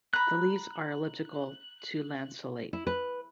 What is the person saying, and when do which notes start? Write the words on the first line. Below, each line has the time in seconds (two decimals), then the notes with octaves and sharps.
The leaves are elliptical to lanceolate.
0.13 A#5 B5 F#6
2.73 E4
2.87 B4